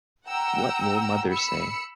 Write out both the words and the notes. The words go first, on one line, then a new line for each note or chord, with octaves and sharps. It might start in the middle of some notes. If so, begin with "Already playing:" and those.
What will mother say?
F#5 G5 A#5 E6
B5 E6 C#7